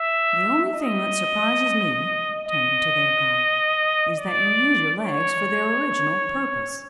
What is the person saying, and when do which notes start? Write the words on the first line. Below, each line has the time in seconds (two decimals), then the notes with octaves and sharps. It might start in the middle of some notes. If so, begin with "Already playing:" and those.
"The only thing that surprises me"--turning to their guide--"is that you use your legs for their original purpose."
Already playing: E5
0.74 D#5
2.46 D#5
4.18 D5
5.04 C#5